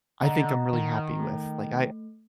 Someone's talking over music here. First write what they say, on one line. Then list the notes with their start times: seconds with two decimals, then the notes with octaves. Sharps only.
I think I'm really happy with, like, I
0.22 D3 D#5 F#5 A#5
0.73 D#3
1.20 A3